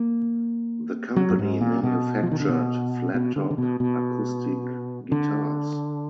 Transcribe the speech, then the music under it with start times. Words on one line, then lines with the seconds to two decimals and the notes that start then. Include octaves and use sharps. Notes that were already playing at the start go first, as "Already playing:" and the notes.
The company manufactured flattop acoustic guitars.
Already playing: A#3
1.16 F#3
1.30 F#2
1.39 G#2
1.61 A#2
1.83 B2
2.23 F3
2.31 D#3
2.40 D3
2.49 B2
3.14 B2
3.36 D3
3.51 D3
3.58 B2
3.80 B2
5.12 D3